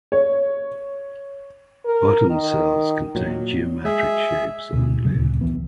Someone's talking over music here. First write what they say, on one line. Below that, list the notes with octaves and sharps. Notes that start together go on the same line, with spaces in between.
Bottom cells contain geometric shapes only.
C#5
A#4
D#3
A#2 F#3
G#3 G#4 E5
D2 B2
E2 A2 C#3 F#3
D2 A#2 C#3
C2 E3 B3